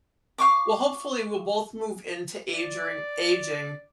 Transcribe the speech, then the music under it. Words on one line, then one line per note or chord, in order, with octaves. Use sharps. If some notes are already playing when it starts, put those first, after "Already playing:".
Well, hopefully, we'll both move into age ring aging
F5 C#6 D6
D5